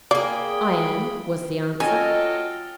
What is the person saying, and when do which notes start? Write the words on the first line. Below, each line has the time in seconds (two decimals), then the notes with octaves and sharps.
"I am," was the answer.
0.11 A#3 G#4 D5 G5 B5
1.80 F#3 C#4 F4 A4 D#5 G5 G#5